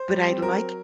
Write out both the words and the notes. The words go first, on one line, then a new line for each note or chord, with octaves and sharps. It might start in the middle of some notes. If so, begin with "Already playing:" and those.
But I'd like
Already playing: C5
G3
C4
F#3 A#4